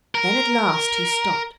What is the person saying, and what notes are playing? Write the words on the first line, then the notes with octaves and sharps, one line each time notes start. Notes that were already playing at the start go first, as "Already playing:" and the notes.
Then at last he stopped.
A#4